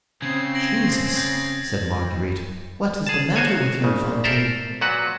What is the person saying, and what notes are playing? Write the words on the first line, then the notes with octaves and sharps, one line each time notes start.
"Jesus!" said Marguerite, "what is the matter with you, Fantine?"
C#3 C4 G#6
A#6 D7 F#7
G6 A6 A#6
G#4 A5
F#4 C5 C#5 G#5
A#1 C#3
A4 A#4 C5 D5 E5 A#5
A#2 F#3 F#4 B4 F#5